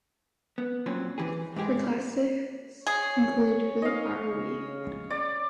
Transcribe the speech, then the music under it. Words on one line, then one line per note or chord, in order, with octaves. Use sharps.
Her classics include Who Are We?
B3
A#2 F#3 C4 C#4
E3 G4 G#4
G#2 G#3 G4 G#4
G#4 C#5
D#4 D#5 F5
C#3
D5